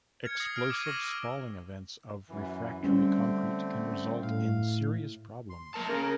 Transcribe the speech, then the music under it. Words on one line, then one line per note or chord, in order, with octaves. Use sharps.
Explosive spalling events of refractory concrete can result in serious problems.
F6 G#6 C#7
D#6 A#6 C7
F6 C#7 D7
D6 E6 F6 G#6 A#6 D#7
C#6 F6 A#6 D#7 F#7
E6 F6 G#6
F#2 E3
D3 G3 A3 C4 C#4
A2 F5
C6
A#3 A#4 A5
C#4 G#4 A#4